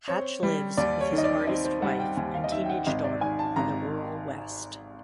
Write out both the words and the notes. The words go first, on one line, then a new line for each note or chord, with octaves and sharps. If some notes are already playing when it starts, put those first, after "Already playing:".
Hatch lives with his artist wife and teenage daughter in the rural West.
C4 C#5
G3
D#2 D5
C#5
D#3
D#5
D5
C4 D#5
C5
G3 F#5
G5
D#2 G#5
F5
D#5
D#3 E5
G5
F#5
G#1 D#5
D5
D#3 G#5
A5
G#1 A#5